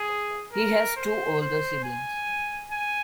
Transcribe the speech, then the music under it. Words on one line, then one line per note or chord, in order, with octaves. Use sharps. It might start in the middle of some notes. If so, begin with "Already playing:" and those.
He has two older siblings.
Already playing: G#4
A#4
C5
C5
G#5
G#5